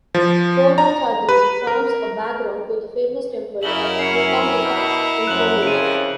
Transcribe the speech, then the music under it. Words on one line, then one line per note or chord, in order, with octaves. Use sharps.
Kodachadri forms a background to the famous temple of Mookambika in Kollur.
F3
A#5
B4
A#4
F#2 C#3 E4 A#4 F#7 G7
C#4 C7 C#7
B2
F#2 F3 F#6 F#7
F2 C#3 D7 D#7